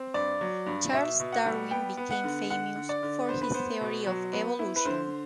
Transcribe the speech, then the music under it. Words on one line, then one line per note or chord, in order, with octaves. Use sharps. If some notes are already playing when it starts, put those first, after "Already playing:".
Charles Darwin became famous for his theory of evolution.
Already playing: C4
G2 D5
F#3
G2
B2 E5
B2
F#5
G3
B3 G5
B3
F#5
D3
D3 F#5
D3
D5
D3
B3 C5
B4
B3 C5
B2
F#3
B3
E4
B4
D3 C5